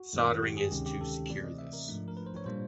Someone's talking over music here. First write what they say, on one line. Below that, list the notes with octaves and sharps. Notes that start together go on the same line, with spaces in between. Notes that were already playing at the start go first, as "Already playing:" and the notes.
Soldering is to secure this.
Already playing: F#4
F#2 D#3 G#3
G4
G#4
D2 C3 D#3 G#3 C#4 G4
G4
A4
C3 E3 A3 C4 D5
D#5
E5
A#4
G#2 F3 A3 D4
A#4
B4
C5
C#5
A#2 G3 A#3 D4 C5